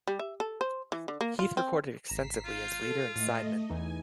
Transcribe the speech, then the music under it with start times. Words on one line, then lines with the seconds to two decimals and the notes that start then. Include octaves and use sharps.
Heath recorded extensively as leader and sideman.
0.07 G3
0.19 E5
0.40 A4
0.61 C5
0.92 E3
1.08 D3
1.21 A#3
1.39 F4
1.57 C4
2.08 G#1 A#5 B6 C7 E7
2.45 F4 F5 G6 C7
2.78 A4
3.16 A2 A3 D#5
3.70 E2 E3 D#4 G#5